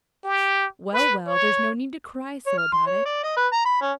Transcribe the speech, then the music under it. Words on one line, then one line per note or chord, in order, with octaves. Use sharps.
"Well, well, there's no need to cry so about it."
G4
B4
C#5
C#5
F6
C6
C#5
D5
D#5
B4
A#5
B5
C#4